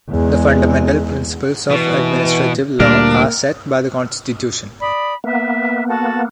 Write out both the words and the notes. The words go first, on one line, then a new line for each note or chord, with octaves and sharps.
The fundamental principles of administrative law are set by the Constitution.
E2 G#3
B2 E3
D2 A#2 G3 A#3 D4 A#4
D5 B5 D#6
A#3 B3 B4 E5
F#4 A4 A5